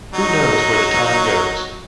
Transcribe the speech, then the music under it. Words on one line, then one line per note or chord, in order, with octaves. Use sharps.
Who Knows Where the Time Goes?
F#3 D#4